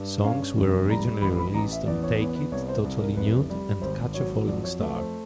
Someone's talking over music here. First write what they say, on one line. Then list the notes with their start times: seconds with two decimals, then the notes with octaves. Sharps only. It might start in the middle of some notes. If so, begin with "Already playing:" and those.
Songs were originally released on "Take It", "Totally Nude", and "Catch a Falling Star".
Already playing: G2
0.24 C#4 F5
0.57 F1
0.90 G3 A#5
1.22 A1 B5
1.39 B5
1.54 A1 A#5
1.71 E5
1.87 E2 D5
2.03 C#5
2.19 B3 C#5
2.35 B4
2.52 C2 C#5
2.68 C5
2.84 C2
3.00 A#4
3.17 F1 B4
3.50 G3
3.82 G#1 C5
4.14 F#3 C#5
4.48 F2 D5
4.64 C#5
4.80 A3 B4
4.96 C5